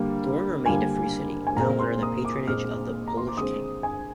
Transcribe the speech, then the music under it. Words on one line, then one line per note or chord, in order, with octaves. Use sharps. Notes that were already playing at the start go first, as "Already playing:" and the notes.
Thorn remained a free city, now under the patronage of the Polish king.
Already playing: D3 G3 A#3
D3 G3 A#3 G#5
G#5
A#2 G#3 C4 A#5
C6
D#6
D6
A#2 G#3 C4 F6
A#5
C6
D6
D3 G#3 C4 D#6
G#5